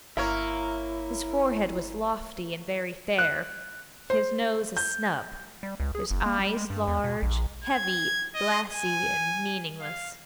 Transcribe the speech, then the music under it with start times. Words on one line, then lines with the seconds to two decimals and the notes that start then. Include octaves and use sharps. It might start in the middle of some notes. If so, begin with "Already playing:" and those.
His forehead was lofty and very fair; his nose a snub; his eyes large, heavy, glassy, and meaningless.
0.17 G1 A#3 E4 C#5 E5 A#5 F6
3.19 F#6
4.10 C5
4.77 G6
5.63 G3
5.80 C#2
5.95 G#4
6.10 F#1
6.26 A#3
6.39 G3
6.57 G#3
6.70 G2
6.88 E2
7.04 B2
7.22 A#1
7.64 G#6
8.35 D#5
8.73 G#5
9.81 F5